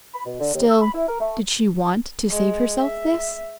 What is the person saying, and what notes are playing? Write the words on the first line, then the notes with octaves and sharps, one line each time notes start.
Still, did she want to save herself this?
B5
B2
D3
D#2
E6
B5
E4
A#4
A3
G#3
E5